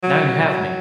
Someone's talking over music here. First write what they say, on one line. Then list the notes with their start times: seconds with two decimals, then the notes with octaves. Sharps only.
Now you have me!
0.03 F#3
0.49 F#3